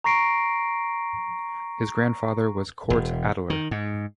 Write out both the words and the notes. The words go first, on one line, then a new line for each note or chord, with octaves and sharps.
His grandfather was Cort Adeler.
A#5 C#6 A#6 C7 D7
E1
D#3
G#2